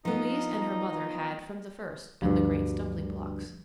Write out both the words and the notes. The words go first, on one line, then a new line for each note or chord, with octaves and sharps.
Louise and her mother had, from the first, been the great stumbling-blocks.
F3 B3 D#4 A#5
D2 G2 F3